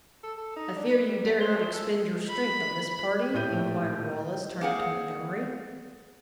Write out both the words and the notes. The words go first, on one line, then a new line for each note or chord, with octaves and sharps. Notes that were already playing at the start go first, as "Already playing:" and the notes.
"I fear you dare not expend your strength on this party?" inquired Wallace, turning to Montgomery.
A4
A4
D#4
D4
B4
G3
F#3
C5
A3
A4
A3
B5
D#1 A2 G4 G6 D#7
A#3 C4 G#4 F5 F#5